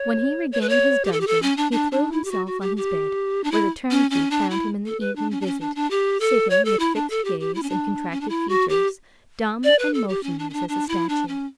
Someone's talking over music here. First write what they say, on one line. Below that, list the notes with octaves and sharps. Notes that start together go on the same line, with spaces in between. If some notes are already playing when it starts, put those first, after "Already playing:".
When he regained his dungeon, he threw himself on his bed, where the turnkey found him in the evening visit, sitting with fixed gaze and contracted features, dumb and motionless as a statue.
Already playing: C#5
C#5
B4
C#5
G4
A4
G4
A4
C#4
D4
D4
D4
E4
G4
F#4
F#4
G4
G4
D4
E4
C#4
C#4
D4
E4
A4
B4
D4
C#4
D4
C#4
D4
D4
G4
A4
C#5
A4
E4
D4
A4
G4
G4
E4
C#4
D4
C#4
D4
E4
F#4
G4
D5
B4
A4
G4
C#4
D4
C#4
D4
D4
E4
D4
C#4